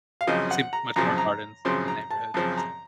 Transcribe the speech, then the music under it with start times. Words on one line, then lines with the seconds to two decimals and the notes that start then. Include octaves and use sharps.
I see much more gardens in the neighborhood, for example.
0.21 F5
0.27 F#2 C#3 F3 C4 D#5
0.51 F#5
0.73 A#5
0.96 F#2 C#3 F3 C4 A#5
1.07 A5
1.18 A#5
1.65 F#2 C#3 F3 C4 C6
1.88 A#5
2.11 A5
2.34 F#2 C#3 F3 C4 A5
2.57 A#5